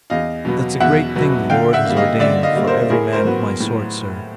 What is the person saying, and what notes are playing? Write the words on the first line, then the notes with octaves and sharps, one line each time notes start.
That's a great thing the Lord has ordained for every man of my sort, sir.
E2 D#5 F5
B2 F#3 B3
E2 E5 F#5
B2 F#3 B3
D3 F5 G5
E5 F#5
G3 A#3
D#5 F5
D3 D5 E5
D#5 F5
G3 A#3
A#4 C5
A2 G#4 A#4
A#4 C5
F#3 B3
A2